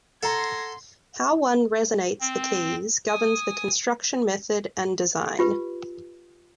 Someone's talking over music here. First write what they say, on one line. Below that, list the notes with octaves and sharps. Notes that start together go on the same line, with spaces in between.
How one resonates the keys governs the construction method and design.
A4 F#5 A#5 C6 G#6 A#6
C4
G#5 D#6
F4 G4 B4